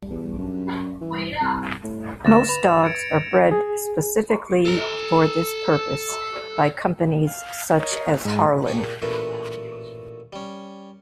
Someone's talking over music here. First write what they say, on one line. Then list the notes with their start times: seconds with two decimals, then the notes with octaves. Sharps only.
Most dogs are bred specifically for this purpose, by companies such as Harlan.
0.11 E2
0.38 F#2
1.01 E3
1.41 C2
1.83 A2
2.25 D2 A6 A#6 E7
2.49 B4 F7
2.83 G#6 C#7 D7
3.51 G#4
4.65 A4 A#5
7.27 F5
7.79 A#4 C#5 D#5
8.25 G#2 G#3
8.66 A#2 A#3 G4 G#4 C#6
9.02 A1 A#2 A3 A#4 B4
10.33 G3 C#4